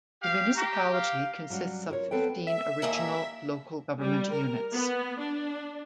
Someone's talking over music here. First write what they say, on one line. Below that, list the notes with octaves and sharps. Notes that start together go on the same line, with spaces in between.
The municipality consists of fifteen original local government units.
G4 F5
G4 A#5
F5
F#3 G3 C#4 F#4
F4 A#4 C#5
B3 C4 A4 B4 G5
E5
D#2 A#2 A#4
G3
A#4
B3
D4